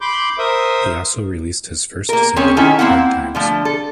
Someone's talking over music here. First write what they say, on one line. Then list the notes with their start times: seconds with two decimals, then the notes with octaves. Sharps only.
He also released his first single, "Hard Times".
0.01 B5 C6 D6 G6
0.39 A#4 C5 E5 D#6
2.09 A#3 A#4
2.36 C#3 C4 C#4 G#4 C#5
2.57 D#3 C#4 E4 A4
2.79 A#3 C4 E4 F#5
3.35 D3 F3 A3
3.65 A4